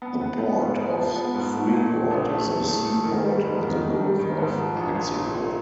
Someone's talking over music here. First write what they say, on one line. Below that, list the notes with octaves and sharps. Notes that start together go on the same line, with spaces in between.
The Port of Freeport is a seaport on the Gulf of Mexico.
B3
B3
B3
G#2
G#3
F3
B3
G#2
A3
A#2
A#2
A#1
A3
F#3
A3
A3
D#3
G3
G#2
D#3
D#3
G3
D#3
G#2
F3
A#1
A#1
A#2
A#2